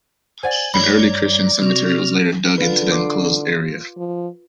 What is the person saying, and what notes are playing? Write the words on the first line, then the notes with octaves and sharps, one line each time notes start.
An early Christian cemetery was later dug into the enclosed area.
C5 D5 F#5 G#5
G2 C#5 D5 A#5 B5
C3 F#4 F6
D3 F4 B4
C6 D6
F3